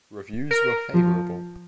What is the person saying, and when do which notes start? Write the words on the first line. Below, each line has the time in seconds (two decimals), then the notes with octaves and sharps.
Reviews were favourable.
0.51 A#4
0.94 F3